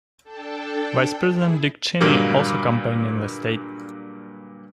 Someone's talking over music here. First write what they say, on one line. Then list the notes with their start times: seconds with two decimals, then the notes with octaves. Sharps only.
Vice President Dick Cheney also campaigned in the state.
0.24 D4 A4 G5 A5
1.24 E4 G#4
2.01 G2 A#2 D3 F#3 G3 A#3